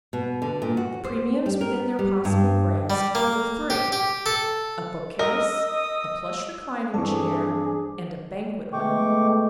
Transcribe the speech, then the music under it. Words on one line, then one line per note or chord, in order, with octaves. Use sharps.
The premiums within their possible grasp were three: a bookcase, a plush reclining chair, and a banquet lamp.
B2
D3
A#2
F#4
C5
G3
A#4
G3
G2
G3
A#3
G4
G4
A4
A#4 D#5 D#6 E6
G2 E3 C4 D4 G#4 A4 C#6
B2 G#3 A3 G5 C#6 D6